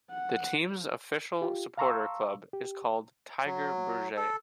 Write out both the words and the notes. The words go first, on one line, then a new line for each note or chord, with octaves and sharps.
The team's official supporter club is called "Tigerberget".
F#5
F4 G4
F5 A5 A#5 C6 C#6 E6
G4
F#3
A4